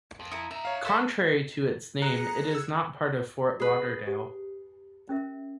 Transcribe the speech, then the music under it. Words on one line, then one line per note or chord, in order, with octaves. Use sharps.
Contrary to its name, it is not part of Fort Lauderdale.
F2
E4 A#5 D#6 C#7
D#4 E5 A#5
C#5 F5
F#4 A4 C5 E5
G#4 A#5 F#6 C#7
E6 G#6
G#4 B4
G4
C#4 A#4 E5